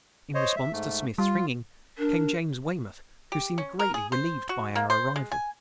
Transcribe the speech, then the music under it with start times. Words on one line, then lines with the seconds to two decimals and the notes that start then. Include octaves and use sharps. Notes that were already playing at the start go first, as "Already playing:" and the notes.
In response to Smith's ringing came James Weymouth, who seemed greatly relieved by our arrival.
0.34 C5 C#5 D#5
0.56 E5
0.73 G#2 A3
1.18 G3 F4
1.98 D4 A#4
3.32 G4
3.58 C#4
3.79 A#4
3.94 G#4
4.12 C5
4.49 F#4
4.76 A#3
4.90 C5
5.16 G#3
5.32 G#5